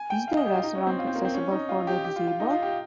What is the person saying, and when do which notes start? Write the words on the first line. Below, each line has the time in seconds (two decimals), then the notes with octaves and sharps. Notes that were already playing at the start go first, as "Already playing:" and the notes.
Is the restaurant accessible for the disabled?
Already playing: G#5
0.10 G5
0.28 F5
0.37 D#5
0.46 G4
0.55 F4
0.63 D#4
0.75 C#4
0.87 C4
0.99 F4
1.07 C4
1.16 A#3
1.25 C4
1.34 C#4
1.51 D#4
1.69 F4
1.87 G4
2.05 G4
2.16 F4
2.27 F4
2.40 D#4
2.51 F4
2.62 G4